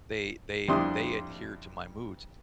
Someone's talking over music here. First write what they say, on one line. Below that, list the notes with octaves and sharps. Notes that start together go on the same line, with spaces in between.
they they they adhere to my moods,
F2 G3 D4 E4 C6 D#6